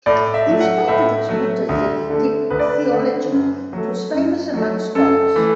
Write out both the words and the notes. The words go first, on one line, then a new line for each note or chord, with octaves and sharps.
In spite of its Mu'tazili theology it was famous among scholars.
A2 D5
E5
F#3 A3
F#5
A2 E5
F#3 A3
D2
D3 A3
D2 B4
D5
B4
D3 A3
F#2
F#3 A3
F#2
F#3 A3
F#2 A4
E3 A3